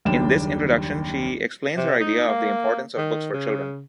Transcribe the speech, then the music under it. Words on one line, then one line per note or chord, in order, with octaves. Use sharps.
In this introduction, she explains her idea of the importance of books for children.
F#1 D#2 G3 D4 G5 E7
C3
D#4
A#3
D#3
C#3